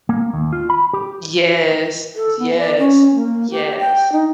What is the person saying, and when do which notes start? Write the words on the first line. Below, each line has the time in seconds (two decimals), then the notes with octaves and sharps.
Yes. Yes. Yes.
0.09 A#3
0.33 D#2
0.52 F4
0.70 B5
0.93 G4
2.16 A4
2.39 B3
2.58 D5
2.79 C#4
3.15 A#3
3.51 G4
3.79 G5
4.12 D#4